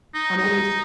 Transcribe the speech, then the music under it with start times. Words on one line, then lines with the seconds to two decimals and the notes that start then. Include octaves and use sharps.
I'm almost
0.14 D#4
0.37 D#4